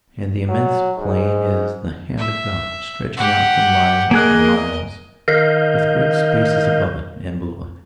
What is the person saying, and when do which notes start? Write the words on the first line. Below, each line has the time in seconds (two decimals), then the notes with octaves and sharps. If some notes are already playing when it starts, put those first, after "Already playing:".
And the immense plain is the hand of God, stretching out for miles and miles, with great spaces above it and below it.
0.49 F#3
0.97 G#2
2.18 E5
3.17 G4 F#5
4.11 A#3 G#4 A#4 D#5 F#6
5.28 D#3 A#4 D#5 F5 G6